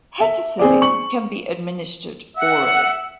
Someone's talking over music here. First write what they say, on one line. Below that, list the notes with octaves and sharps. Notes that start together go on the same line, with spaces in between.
Hetacillin can be administered orally.
E5
C4 G#4 D5
C#6 F#7
E5 F#5